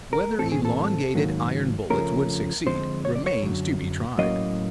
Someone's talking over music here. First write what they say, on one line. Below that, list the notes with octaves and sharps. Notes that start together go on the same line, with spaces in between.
Whether elongated iron bullets would succeed, remains to be Tried.
A#4
A2 E3 A3 C4 A4
G#4
A4
G#2 D#3 F#3 A#3
C#3 F3 A3 C#4 A#4
D3 F3 G#3 C4 C5
C#5
D5
C#5
F#2 D3 F#3
A2 F#3 A#3 C#4 D#5